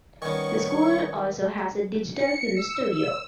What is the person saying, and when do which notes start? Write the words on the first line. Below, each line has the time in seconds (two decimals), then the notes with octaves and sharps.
The school also has a digital film studio.
0.22 D#3 G3 B3 C#4 C#5 C#6
2.13 C#7
2.55 E6
2.91 E6